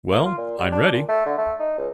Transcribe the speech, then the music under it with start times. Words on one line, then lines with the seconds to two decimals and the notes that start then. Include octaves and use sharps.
Well, I’m ready.
0.12 A#3
0.25 F4
0.38 A#2
0.58 G3
0.72 D4
0.93 A#2
1.08 A3
1.26 D3
1.38 A3
1.59 D#4
1.78 C#2